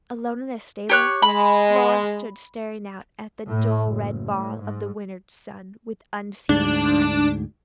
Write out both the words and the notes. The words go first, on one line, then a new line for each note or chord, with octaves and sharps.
Alone in the stable Lawrence stood staring out at the dull red ball of the winter sun with unseeing eyes.
G4 C#5 F#6
G#3 B5
A2
F#1
A2
G#2
D2 G#2 D4